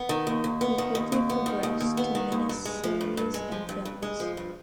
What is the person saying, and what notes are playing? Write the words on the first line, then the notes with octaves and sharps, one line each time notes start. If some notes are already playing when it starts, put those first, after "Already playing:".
He quickly progressed to miniseries and films.
Already playing: B3
D#3
D#2
D#2
B3
D#3
D#2
D#2
B3
D#3
D#2
D#2
B3
D#3
D#2
G2
G#3
F3
G2
G2
G#3
F3
G2
G2
G#3
F3
G2